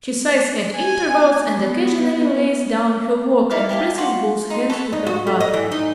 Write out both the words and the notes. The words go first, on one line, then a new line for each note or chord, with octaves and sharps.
She sighs at intervals and occasionally lays down her work and presses both hands to her heart.
G#5
B3
D#4 E4 D5 F5
E4 G4 F5 A5
F4 F#4
D#4 C6
A4 B4 C#5 F#5
D#4
F#4
A3
D#5
E3
D#4